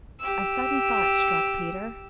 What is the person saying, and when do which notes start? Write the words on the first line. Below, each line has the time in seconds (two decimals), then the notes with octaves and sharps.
A sudden thought struck Peter.
0.20 G4 E6